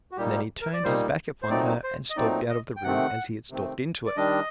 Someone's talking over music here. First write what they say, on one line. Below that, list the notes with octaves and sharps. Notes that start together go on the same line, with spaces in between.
And then he turned his back upon her and stalked out of the room as he had stalked into it.
F#4
A#2 G3 A#3 D#4 G4
A#4
D5
A#2 G3 A#3 D#4 C5
C5
A#2 F#3 A3 C4 D#4 D5
C5
D#5
A#2 F#3 A3 C4 D#4 D5
D#5
G5
C3 D#3 A3 C4 F#5
C3 D#3 A3 C4
D5
D#3 G3 D4 D#5